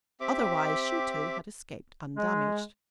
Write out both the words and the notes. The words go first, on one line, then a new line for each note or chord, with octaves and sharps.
Otherwise she, too, had escaped undamaged.
C4 G4 E5 D6
G#3